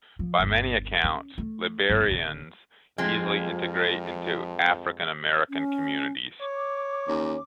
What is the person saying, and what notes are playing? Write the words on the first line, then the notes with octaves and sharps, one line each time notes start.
By many accounts, Liberians easily integrate into African-American communities.
F3
G1 D#2
C#4
A3
G1
D1 D3
F2 F3 G#3 C4
C#4
C#5 D6
D#2 C#4